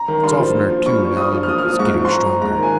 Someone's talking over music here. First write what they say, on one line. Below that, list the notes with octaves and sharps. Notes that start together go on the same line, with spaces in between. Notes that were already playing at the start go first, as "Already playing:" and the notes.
It's oftener, too, now, and he's getting stronger.
Already playing: A#5
D#3
G2 C6
F3
A#2
F3
G2 C#6
F3
G2 D#6
F3
F6
A#2 D#6
F6
F3 D#6
G#2 C#6
F3
C6
A#2 A#5
F3
G#2 A#5
A#5
D#3 G#5